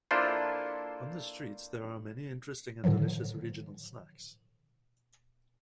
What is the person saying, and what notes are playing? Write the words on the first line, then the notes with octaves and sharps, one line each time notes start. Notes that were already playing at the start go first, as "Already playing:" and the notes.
On the streets, there are many interesting and delicious regional snacks.
A#3 D4 E4 F4 A4 C5
A2 D3 D#3 F3 F#3